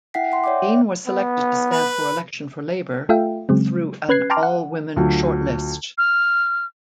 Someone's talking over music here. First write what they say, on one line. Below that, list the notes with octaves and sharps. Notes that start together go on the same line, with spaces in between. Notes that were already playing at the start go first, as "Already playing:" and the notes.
Dean was selected to stand for election for Labour through an all-women shortlist.
E4 E5 F#5 G5 B6 C7
F#5 C6
C#5 D5 E5 G5 D6
B3
B4
A3 F4 A4 E5 F5 G5
C#3 F#3 G#3 C4
C#4 B4 F#6 G#6 C7
G5 A5 A#5 C6 D6 F6
F#5
D2 F#3 F4
F6